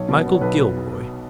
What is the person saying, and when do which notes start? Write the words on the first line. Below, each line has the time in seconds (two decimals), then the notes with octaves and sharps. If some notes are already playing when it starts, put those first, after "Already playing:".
"Michael Gilroy?"
Already playing: B1 C#5
0.09 B2
0.26 B3
0.34 C#5
0.41 B1 B4